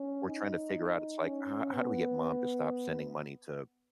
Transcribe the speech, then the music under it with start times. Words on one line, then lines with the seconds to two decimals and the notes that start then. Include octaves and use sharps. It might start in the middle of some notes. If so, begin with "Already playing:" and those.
We're trying to figure out it's like, "Uh, how do we get mom to stop sending money to
Already playing: C#4
0.28 D#4
1.24 C#4
1.73 B3